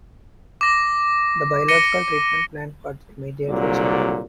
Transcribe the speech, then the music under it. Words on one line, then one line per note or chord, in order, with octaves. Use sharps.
The biological treatment plant was immediately shut down.
D6 A#6
D6 A#6 C#7 D#7 G7
C2 A#2 D3 F#3